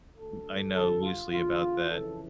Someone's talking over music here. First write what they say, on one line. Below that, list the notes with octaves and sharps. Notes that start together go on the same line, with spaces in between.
I know loosely about that.
D2 D3 A4
G2 D3 A4
F4
E2 D3 F4
F2 C#3 E3 A4